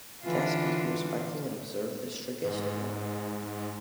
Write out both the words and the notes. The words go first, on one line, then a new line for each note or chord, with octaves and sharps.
Guests must be respectful and observe the strictest decorum.
D3 E3 F4
G#2